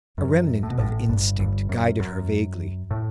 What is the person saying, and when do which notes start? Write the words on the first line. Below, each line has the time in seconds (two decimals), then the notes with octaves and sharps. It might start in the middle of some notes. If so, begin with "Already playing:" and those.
A remnant of instinct guided her vaguely.
0.18 F#2
0.63 A2
0.70 B2
0.78 A1 A2
1.08 G1 G2
1.39 G1 G2
1.69 F#2
2.00 F#2
2.91 A2